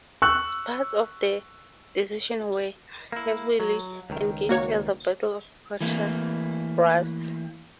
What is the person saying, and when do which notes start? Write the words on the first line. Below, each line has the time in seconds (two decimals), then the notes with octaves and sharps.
Parts of the division were heavily engaged at the Battle of Quatre Bras.
0.22 C#6 E6 F#6
3.12 A#3 E4
3.60 F#3
4.10 C#2 D#3
4.49 A#3 F#4 C#5
5.81 E3 A3 A#3